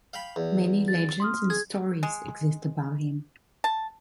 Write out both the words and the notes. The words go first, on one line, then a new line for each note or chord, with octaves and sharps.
Many legends and stories exist about him.
F5 G5 B5
E2
A6
C6 D#6 F6
G#4 G#6
G#3
A5